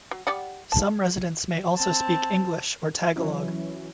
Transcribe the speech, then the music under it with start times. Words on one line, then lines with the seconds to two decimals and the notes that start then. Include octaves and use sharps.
Some residents may also speak English or Tagalog.
0.11 F#3
0.27 G3 D5 F#5
0.72 A5
1.76 C4 A5
3.16 E3 F#3 C#4 E4